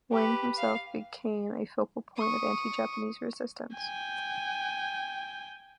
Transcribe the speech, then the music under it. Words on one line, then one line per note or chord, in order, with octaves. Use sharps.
Wang himself became a focal point of anti-Japanese resistance.
G4 B4
F5
C#6 D#6
G5 G#5